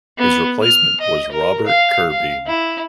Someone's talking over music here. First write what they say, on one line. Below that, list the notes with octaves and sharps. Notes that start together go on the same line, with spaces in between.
His replacement was Robert Curbeam.
B3
F6
D#5
A#4
F5
F5
E4